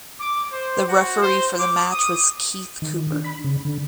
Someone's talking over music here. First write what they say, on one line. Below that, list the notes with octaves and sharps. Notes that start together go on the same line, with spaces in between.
The referee for the match was Keith Cooper.
D6
C5
F#4
C5
D6
D#6
D#3
D4
B5
C#3
D3